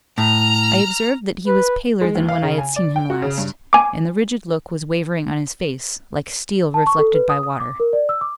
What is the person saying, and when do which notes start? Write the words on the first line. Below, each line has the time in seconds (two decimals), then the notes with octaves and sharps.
I observed that he was paler than when I had seen him last, and the rigid look was wavering on his face, like steel reflected by water.
0.18 A2 A#5 F6
1.47 B4
2.01 G#3
2.15 D#2
2.28 F5
2.42 C#3
2.58 G#5
2.76 D5
2.96 G5
3.10 F#4
3.22 C#3
3.38 G2
3.73 G#5 D6
6.74 A5
6.87 C#6
6.99 A4
7.14 B4
7.30 D#6
7.43 D#6
7.60 D6
7.80 A#4
7.93 D5
8.09 E6
8.21 D6